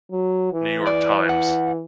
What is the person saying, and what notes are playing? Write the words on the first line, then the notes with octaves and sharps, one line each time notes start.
New York Times.
F#3
E3
D5
F#5